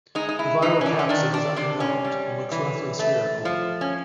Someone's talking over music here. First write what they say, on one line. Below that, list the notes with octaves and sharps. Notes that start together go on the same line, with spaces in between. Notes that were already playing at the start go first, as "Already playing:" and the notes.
The viral capsid is unenveloped and looks roughly spherical.
G#3 D#4
D#4
E4
E3 D#4
C#4
D4
C#4
D#3 D4
D4
C3 D4
C#4
G3
E3
A3
F3
C#4